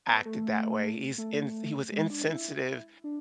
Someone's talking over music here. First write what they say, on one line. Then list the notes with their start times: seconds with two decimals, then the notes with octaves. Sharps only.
acted that way. He's in th he was insensitive
0.07 B3
0.26 A3
1.18 A3
1.92 G#3
2.10 D4
2.29 E4
3.04 D4